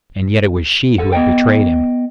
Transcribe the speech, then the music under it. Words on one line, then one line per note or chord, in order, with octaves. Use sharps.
And yet it was she who had betrayed him.
A4 F#5
B3 D#5 G5